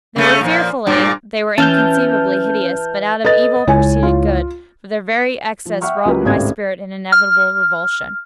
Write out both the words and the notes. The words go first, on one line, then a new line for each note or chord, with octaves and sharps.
They were fearfully--they were inconceivably hideous; but out of Evil proceeded Good; for their very excess wrought in my spirit an inevitable revulsion.
C#3 A3 C#4
A#2 F3
G2 A#2
E3 C#4 A5 F6 G6
A4 B4 D#5 A6
C#2 E4 C#5 G#5
F4
F3
E5 F#5 G5 C#6 F6
C#2 F#3 A#3 F4 G4 B4
G#1 C#2 A2 C4 G4 G#6
F6